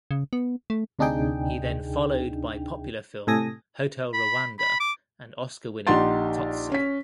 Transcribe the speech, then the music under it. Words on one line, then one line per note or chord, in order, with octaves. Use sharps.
He then followed by popular film "Hotel Rwanda" and Oscar Winning "Tsotsi".
C#3
B3
A3
D2 C3 D4 D#4 G#4 G5
A2 C3 A4 G#5 D#6 A#6
B5
B5
D6
A#1 D#4 G4 F#5 C6 A6
C#4 B6